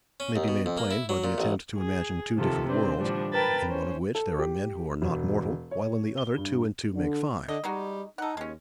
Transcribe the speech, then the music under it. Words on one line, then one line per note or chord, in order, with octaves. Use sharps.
This may be made plain by the attempt to imagine two different worlds, in one of which there are men who are not mortal, while in the other two and two make five.
C#4
D#2
B2
F2
A#3
E4
F#3
A#2
A1
G#4
C3 D#3 F3 F4 A4
C4 D4 B4 C5
A2 D3 E3 F3 G3 D4
A#4 B4 G5 A5 B5 A6
C#4 C5
A4
G4
E1
C#5
G7
G2
D3
D3 D#5
G3 G#3 D#4 F#4
D#4 A4 F#5
D#2 G#3 C#4